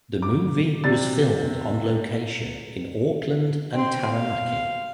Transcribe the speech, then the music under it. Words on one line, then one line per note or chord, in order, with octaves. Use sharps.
The movie was filmed on location in Auckland and Taranaki.
D6
C3 D5 A6
C4 C6
F5